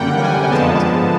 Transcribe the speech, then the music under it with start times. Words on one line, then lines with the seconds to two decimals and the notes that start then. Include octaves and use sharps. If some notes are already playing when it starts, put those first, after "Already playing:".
Yeah, that's awesome.
Already playing: F#2 D3 G3 A#3 F#5 G5
0.23 G#5
0.51 F2 D3 F3 G#3 B3 A5